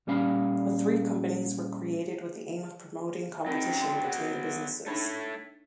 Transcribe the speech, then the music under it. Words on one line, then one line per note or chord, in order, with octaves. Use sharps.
The three companies were created with the aim of promoting competition between the businesses.
A#2 G3 C#4 F5 B5
F#3 C4 D#4 A#4 D#5 G5
C#4
C6
F#3 B3 F#4 C#5
A3 D4 D#4 C#5